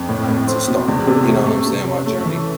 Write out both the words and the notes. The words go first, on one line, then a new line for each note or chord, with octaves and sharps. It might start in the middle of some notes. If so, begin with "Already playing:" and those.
to start, you know what I'm saying? My journey,
Already playing: F2
A2
A2
C4
B2
E2
C3
A3
A3
C3
C#4
A3
E3